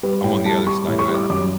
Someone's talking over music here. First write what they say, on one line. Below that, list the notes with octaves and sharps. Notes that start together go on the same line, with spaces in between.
I'm on the other side of it a
G3 B4
A2 G5
G3 A5
G3 C#6
A2
C#6
G3
D6
F#2 D6